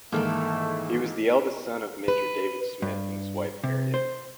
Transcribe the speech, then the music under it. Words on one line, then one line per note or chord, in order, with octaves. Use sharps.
He was the eldest son of Major David Smith and his wife Harriet.
G#2 D#3 E3 A3 A#3 A4 F6
B4
G2
C3
C5